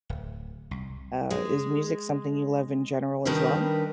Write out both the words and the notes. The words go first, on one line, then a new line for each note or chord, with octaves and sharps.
uh, is music something you love in general as well?
D1
C2
G#3
D#3 G3 D4 D#4 A#4 B4